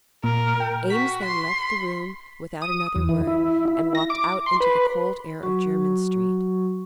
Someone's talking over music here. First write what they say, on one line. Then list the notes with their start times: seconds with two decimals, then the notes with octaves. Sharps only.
Eames then left the room without another word, and walked out into the cold air of Jermyn Street.
0.24 A#2 A#4
0.60 G5
0.90 F#4 B6
1.25 C6
2.62 D#6
2.96 E2
3.09 E3
3.27 E4
3.68 E4
3.95 A#6
4.10 D6
4.46 C6
4.60 B4
5.43 F#3 F#4 C#6